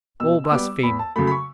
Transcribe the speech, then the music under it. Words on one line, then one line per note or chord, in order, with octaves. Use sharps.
All blaspheme.
B2 E6
E6
G3 B3 D6
E2 B5
A5
C#3 F#3 A3 B5
B5
C#6